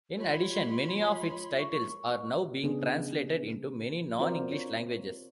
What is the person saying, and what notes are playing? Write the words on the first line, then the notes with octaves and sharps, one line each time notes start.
In addition, many of its titles are now being translated into many non-English languages.
F4 C#5 B5 C6
C#6
C#3 B3 C#4 D4 G#4
C4 F4 F#4 A#4 C5 D5
C4 F4 C#5